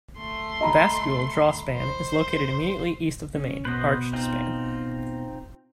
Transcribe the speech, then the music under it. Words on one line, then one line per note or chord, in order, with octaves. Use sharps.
The bascule draw span is located immediately east of the main, arched span.
A3 C6
D#5 A#5 B5
C5
C#4
B2 B3 B4 C5 D#5
C4 D#4 F4